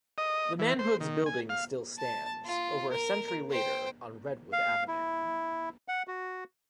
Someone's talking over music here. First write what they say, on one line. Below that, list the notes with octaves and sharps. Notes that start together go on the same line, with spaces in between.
The Mahoods' building still stands, over a century later, on Redwood Avenue.
D#5
E3
C5
D#3
G#5
F5
A5
F4
A#4
C5 G5
F5
E4
F#5
F#4